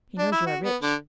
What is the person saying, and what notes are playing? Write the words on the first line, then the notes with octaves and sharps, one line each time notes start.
"He knows you are rich."
D4
E4
F#4
B3
D3